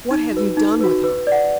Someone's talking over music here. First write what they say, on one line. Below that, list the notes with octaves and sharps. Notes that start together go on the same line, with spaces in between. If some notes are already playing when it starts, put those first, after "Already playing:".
What have you done with her?
D#4
F#4 B4
D#4
F#4 B4
B4
D5 F#5